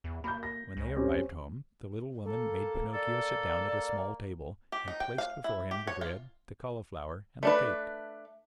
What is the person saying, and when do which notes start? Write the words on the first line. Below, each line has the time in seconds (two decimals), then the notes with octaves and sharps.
When they arrived home, the little woman made Pinocchio sit down at a small table and placed before him the bread, the cauliflower, and the cake.
0.04 E2
0.24 A#3 B5 G6
0.43 A#6
0.77 C#2
0.96 C4 C#4 G4
2.25 A#3 A4
2.94 A4 D5
3.69 A#3
4.72 G4
4.88 D#4
5.00 G5
5.18 F5
5.44 E4
5.71 G4
5.87 C#5
6.01 F4
7.43 A3 D4 B4